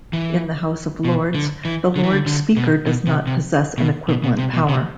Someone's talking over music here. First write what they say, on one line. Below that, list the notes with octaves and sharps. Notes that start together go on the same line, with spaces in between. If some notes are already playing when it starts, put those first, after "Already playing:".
In the House of Lords, the Lord Speaker does not possess an equivalent power.
E3
B2
D3
E3
D3
E3
D3
D3
B2
B2
C3
C3
B2
B2
B2
C3
B2
C3